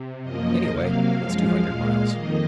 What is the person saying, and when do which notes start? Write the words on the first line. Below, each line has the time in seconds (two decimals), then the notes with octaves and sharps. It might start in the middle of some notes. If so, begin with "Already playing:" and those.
Anyway, what's two hundred miles!
Already playing: C3
0.23 F#2 F3 A#3 D#5
0.70 C3 F#3 A#3 F5
1.17 F#2 F3 G#3 F5
1.63 A#2 G#3 F5
2.10 F2 D#3 A#3 D#5